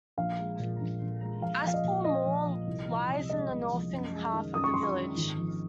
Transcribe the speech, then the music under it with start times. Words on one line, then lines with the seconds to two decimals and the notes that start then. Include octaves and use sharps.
Aspull Moor lies in the northern half of the village.
0.17 A#1 F5
0.38 G#3
0.59 A#2
0.80 A#1
1.01 A#1
1.22 G#3
1.42 A#1 F5
1.63 F3 F5
1.74 D#5
1.84 A#2
2.04 A#3 D#5
2.26 A#1
2.46 F3
2.67 C2
2.88 F3
3.08 C3
3.29 G#3 D#5
3.50 C2
3.71 F3
3.92 F#2
4.13 G#3
4.33 D#3
4.54 F#2 D#6
4.64 C#6
4.74 F#2 C6
4.83 C#6
4.95 G#3
5.17 G#1
5.37 F3